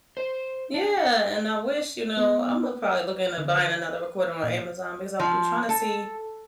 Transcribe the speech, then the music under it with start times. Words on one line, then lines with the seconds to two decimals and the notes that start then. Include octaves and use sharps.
Yeah, and I wish, you know Imma probably look into buying another recorder on Amazon because I'm trying to see
0.17 C5
0.74 D4
0.97 F#5
2.17 B3
2.63 B4
3.38 D3
3.57 B4
4.43 A#2
5.19 F3
5.69 A4